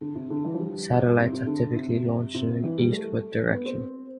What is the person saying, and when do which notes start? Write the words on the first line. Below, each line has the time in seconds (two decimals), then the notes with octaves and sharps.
Satellites are typically launched in an eastward direction.
0.01 D3
0.15 C3
0.30 D3
0.45 E3
0.54 F3
0.60 G3
1.18 C3
1.33 C3
1.47 D3
1.76 C3
2.34 C3
2.49 C3
2.64 E3
2.78 G3
2.92 A3
3.50 B3
3.66 C4